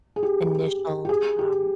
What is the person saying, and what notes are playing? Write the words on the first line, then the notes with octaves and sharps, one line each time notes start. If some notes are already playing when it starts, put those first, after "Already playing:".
initial, um,
G#4
G4
G4
G#4
G4